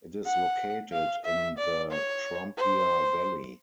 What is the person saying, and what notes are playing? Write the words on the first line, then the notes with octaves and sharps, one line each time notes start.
It is located in the Trompia valley.
F#5
F5
E5
D5
C#5
C5